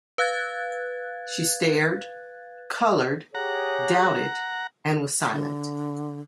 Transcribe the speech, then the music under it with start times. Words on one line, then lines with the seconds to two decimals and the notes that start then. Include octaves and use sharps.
She stared, coloured, doubted, and was silent.
0.18 B4 F5 F#6 G#6 A6
3.35 G4 G#4 C#5 F#5 A#5
5.31 D3